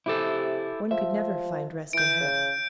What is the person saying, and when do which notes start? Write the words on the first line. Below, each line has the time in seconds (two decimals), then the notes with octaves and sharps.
One could never find rest in her.
0.06 C3 E4 G4 A4
0.91 F3 E5
1.93 E3 G6 D7
2.20 C#3